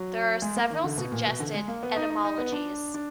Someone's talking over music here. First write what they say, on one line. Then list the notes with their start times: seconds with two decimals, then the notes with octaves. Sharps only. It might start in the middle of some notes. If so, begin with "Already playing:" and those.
There are several suggested etymologies.
Already playing: F#3
0.42 G#3
0.56 A#3
0.70 D#3
0.84 D3
0.98 B2
1.12 A#2
1.26 B2
1.40 D3
1.54 G#3
1.68 A#3
1.83 B3
1.96 D#4
2.10 D#4
2.24 D#4
2.38 B3
2.52 D4
2.94 D4